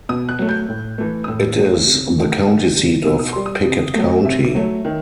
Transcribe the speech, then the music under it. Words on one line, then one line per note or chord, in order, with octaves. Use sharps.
It is the county seat of Pickett County.
B2 D#6
F#6
F#3 A3
G6
A2
E3 A3
D#6
A2 E6
F#3 A3
C3
D#3 A3
D#3
G3
B2 E6
D#6
G3 C6
D#6
C3
F#3 A3
C3 E5
F#3 A3
D#3